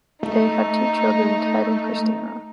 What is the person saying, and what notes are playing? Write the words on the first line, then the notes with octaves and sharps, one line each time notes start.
They had two children, Ted and Christina.
A3 D#4